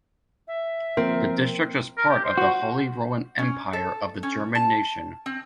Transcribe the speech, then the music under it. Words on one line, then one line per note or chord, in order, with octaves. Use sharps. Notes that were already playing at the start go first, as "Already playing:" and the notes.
The district was part of the Holy Roman Empire of the German nation.
E5
F3 A#3 C4 A#4
A#4
G4
C5
F#4
C#4
A4
C#4
A5
C4